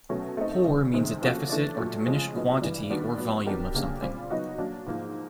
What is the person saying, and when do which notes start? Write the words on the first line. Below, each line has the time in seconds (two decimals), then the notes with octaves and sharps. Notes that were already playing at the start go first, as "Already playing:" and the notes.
"Poor" means a deficit or diminished quantity or volume of something.
0.09 B2 F#3 A3 C#4
0.37 A3 C4 D#4
0.65 C#3 E3 G3
0.94 C3 D#3 G#3 C4
1.22 F3 A#3 C#4 F#4 A4
1.50 E3 A3 D4
1.78 A#2 F#3 A3
2.06 C#3 F3 G#3 C4
2.34 A#2 F#3 B3 D#4
2.62 G2 E3 G3
2.90 D#3 G3 B3 D4 F#4
3.18 A#2 F#3 B3
3.46 F#3 B3 D4 G4 A#4
3.74 C#3 F#3 A#3 D4 G4
4.02 A#2 G3 C4 F4
4.30 F#3 B3 D#4 F#4
4.58 F#3 A#3 D4
4.86 G#2 F3 A#3